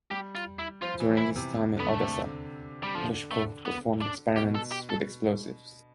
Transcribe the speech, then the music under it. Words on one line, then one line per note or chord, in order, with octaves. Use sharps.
During his time in Odessa, Glushko performed experiments with explosives.
G3 G4
F4
E4
F3 F4
E3
E4
C3
C3
D3
B3
A3
C3
D3
G3
D3 F3
A3
B3
D4
B2 G4
A4
G4
A4